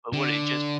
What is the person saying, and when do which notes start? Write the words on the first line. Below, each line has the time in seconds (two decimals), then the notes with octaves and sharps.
but would it just
0.13 D3